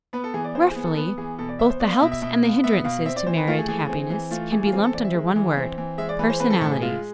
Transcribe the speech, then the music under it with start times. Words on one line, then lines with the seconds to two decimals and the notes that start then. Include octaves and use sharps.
Roughly, both the helps and the hindrances to married happiness can be lumped under one word--personalities.
0.13 B3 B4
0.24 A4
0.34 E3 G#4
0.44 D5
0.55 E3 C5
0.71 B3 G#4
0.84 A4
0.97 B3 B4
1.18 E3 G#4
1.39 B2 A4
1.49 D5
1.59 B3 E5
1.70 C5
1.80 B3 D5
1.91 F5
2.01 B2 E5
2.12 E5
2.22 B2 E5
2.43 B3 F5
2.64 B3 E5
2.85 B2 F5
3.06 C4 E5
3.16 D5
3.27 E3 C5
3.37 B4
3.47 A3 F4
3.58 G#4
3.68 E3 G#4
3.79 G#4
3.89 C4
4.10 E3
4.31 A3 F4
4.52 E3 G#4
4.66 F4
4.73 C4 G#4
4.83 A4
4.94 E3 D5
5.04 E5
5.15 G#3
5.36 E3
5.57 C4
5.78 E3
5.98 G#3 E5
6.09 D5
6.19 E3 B4
6.30 C5
6.40 C4 B4
6.50 A4
6.61 A2 A4
6.72 G#4
6.81 G#3 F4